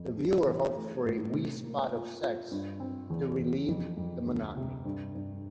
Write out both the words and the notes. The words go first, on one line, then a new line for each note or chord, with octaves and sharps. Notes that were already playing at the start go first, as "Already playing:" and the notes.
This viewer hoped for a wee spot of sex to relieve the monotony.
Already playing: F2
D4
E3
A3
A2
C3
A#3
F4
F4
G2
C4
E2
E2
F2
F2
D2
C3
G2
G2